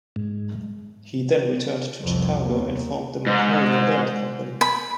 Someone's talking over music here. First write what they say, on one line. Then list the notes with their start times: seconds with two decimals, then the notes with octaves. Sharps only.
He then returned to Chicago and formed the Magnolia Land Company.
0.16 G#2
2.04 C2 F2
2.42 D#2
3.27 G#2
4.61 B5